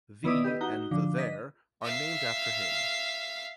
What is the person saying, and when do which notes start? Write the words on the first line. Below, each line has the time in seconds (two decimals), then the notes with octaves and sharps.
The and the there are named after him.
0.24 D#3 B3 E4 B4 D5 D#6
0.44 G4 B4 D#5
0.60 D#4 F#4 A#5 G7
0.91 D3 F3 D4
1.18 D#5 A#6 B6
1.82 E5 F5